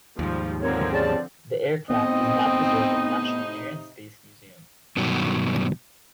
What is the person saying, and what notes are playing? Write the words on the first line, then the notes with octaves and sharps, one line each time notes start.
This aircraft is now preserved in the National Air and Space Museum.
D#2 G#2 F3 G3
D3 F3 C4 A#4 C#5
G2 C#3 D5 A5
A2 C3 B3 C4 D#4 D#5
G2 B2 D#3 F#3